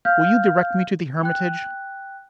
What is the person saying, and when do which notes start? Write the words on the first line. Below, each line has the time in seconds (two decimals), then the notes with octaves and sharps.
'Will you direct me to the Hermitage?
0.05 F5 F6 G6
1.23 G5 F#6